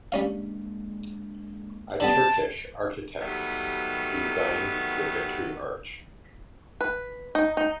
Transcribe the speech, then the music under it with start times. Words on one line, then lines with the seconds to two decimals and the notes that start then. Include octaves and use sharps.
A Turkish architect designed the victory arch.
0.12 G3 G#3 A#3 C#4 D4 F5
2.00 D3 G3 B3 A5
3.21 C3 D#3 F#3 G3 A3 B3
6.81 B4
7.35 D#4
7.57 D#4